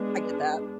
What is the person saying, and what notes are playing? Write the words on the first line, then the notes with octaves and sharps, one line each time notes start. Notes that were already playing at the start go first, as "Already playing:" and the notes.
I get that.
Already playing: G#3 B3 D4 G#4 B4
B4